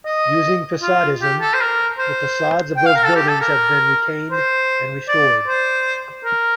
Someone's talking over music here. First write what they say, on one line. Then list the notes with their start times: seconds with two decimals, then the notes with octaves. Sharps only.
Using facadism, the facades of those buildings have been retained and restored.
0.06 D#5
0.82 F4
1.22 G4
1.41 A4
1.54 C5
1.61 A#4
1.99 C5
2.77 G5
2.86 F5
2.96 A#4
3.05 A4
3.16 G4
3.28 A4
3.41 A#4
4.31 C5
5.09 D5
5.48 C5
6.25 A#4